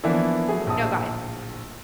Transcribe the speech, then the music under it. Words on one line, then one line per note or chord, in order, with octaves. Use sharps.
No, go ahead.
E3 F3 A#3 B3 D4 E4
F#3 A3 G#4
D1 A#1 A5 D#6